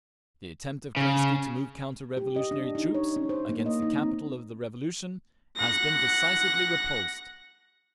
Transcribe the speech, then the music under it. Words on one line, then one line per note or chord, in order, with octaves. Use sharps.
The attempt of Kerensky to move counter-revolutionary troops against the capital of the Revolution has been decisively repulsed.
C#3
G4
D#5
D4
D#4
C#5
C#4
C5
A#3
D#5
D#4
C4
F#5 A#6